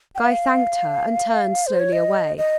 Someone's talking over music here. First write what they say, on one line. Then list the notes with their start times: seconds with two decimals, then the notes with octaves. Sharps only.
Guy thanked her, and turned slowly away.
0.15 G5
0.19 F5
1.67 C5
1.79 C#5
1.93 D#5
2.38 D#5